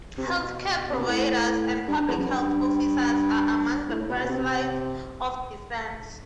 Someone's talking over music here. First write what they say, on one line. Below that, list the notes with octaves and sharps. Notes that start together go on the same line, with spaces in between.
Health care providers and public health officers are among the first lines of defense.
C3
B2
C3
B2
A2
G2
E2
F#2
G2
A2
A2
B2
B2
C3